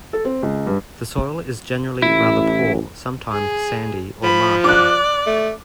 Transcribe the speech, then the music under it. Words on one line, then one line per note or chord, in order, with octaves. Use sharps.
The soil is generally rather poor, sometimes sandy or marshy.
A4
C4
C#2
G2
A1 E4
G#4
F3 B5
D5 D6 F#6
A3